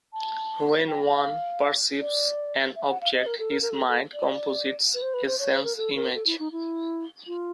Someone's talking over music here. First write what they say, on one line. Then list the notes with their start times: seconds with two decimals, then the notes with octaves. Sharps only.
When one perceives an object, his mind composites a sense-image.
0.13 A5
0.88 G5
1.06 F5
2.00 D5
2.76 E5
2.89 F#5
3.01 F5
3.14 D#5
3.26 A#4
3.39 A4
3.51 A#4
3.62 A#4
3.70 A4
3.88 A4
4.14 D5
4.94 B4
5.02 C5
5.14 B4
5.27 C5
5.39 C#5
5.52 C5
5.64 A#4
5.77 A4
5.96 A#4
6.15 A4
6.27 E4
6.39 D#4
6.52 E4
7.27 F4